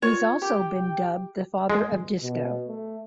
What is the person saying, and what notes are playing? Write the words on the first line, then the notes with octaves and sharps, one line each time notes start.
He has also been dubbed the "Father of Disco".
F4 C#5
G4 G5
G#3
B2
A3